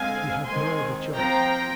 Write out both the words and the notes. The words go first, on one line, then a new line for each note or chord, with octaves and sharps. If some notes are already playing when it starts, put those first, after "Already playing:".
He had no other choice.
Already playing: D3 G#3 C4 F5 G#5
D#3 G#3 C4 G#5 C6
F3 C4 G5 A#5